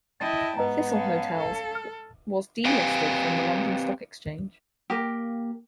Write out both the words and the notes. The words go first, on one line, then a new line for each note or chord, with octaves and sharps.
Thistle Hotels was delisted from the London Stock Exchange.
E4 D#5 G5 A5 A6
G#2 B3 B4 D#5 A#5
C#4 F5 A5
A4
F6
C4 G4 B4 F5 G5 G#5
A#3 G4 A#4